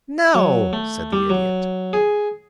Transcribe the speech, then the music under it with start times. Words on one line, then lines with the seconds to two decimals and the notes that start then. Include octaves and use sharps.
"No," said the Idiot.
0.34 F#3
0.73 A3
1.13 G3
1.30 F#3
1.93 G#4